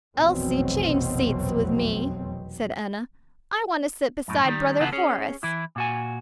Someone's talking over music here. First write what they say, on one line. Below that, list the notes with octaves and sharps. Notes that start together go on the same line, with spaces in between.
"Elsie, change seats with me," said Enna; "I want to sit beside Brother Horace."
F1 A#1 E2 B2 F#3 C4
F#2 A2
D#3 G3
C#3 E3 B3 F4 A4 F#5
C#4 G#4 C#5
E3 E4
A#2 F#4 G#5